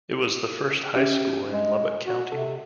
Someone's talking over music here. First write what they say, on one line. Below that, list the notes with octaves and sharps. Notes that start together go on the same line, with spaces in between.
It was the first high school in Lubbock County.
C#4 G4 E5
G#3
F#4
C3 A4